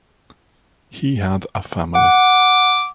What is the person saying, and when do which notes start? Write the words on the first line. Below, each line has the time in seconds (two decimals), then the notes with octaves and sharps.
He had a family.
1.95 F#5 D6